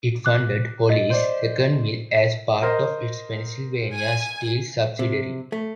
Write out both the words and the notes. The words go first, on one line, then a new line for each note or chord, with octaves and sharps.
It funded Holley's second mill as part of its Pennsylvania Steel subsidiary.
D6 F#6
D#5
C5 D5
A#4 C5 D#5
G#5
C3
A3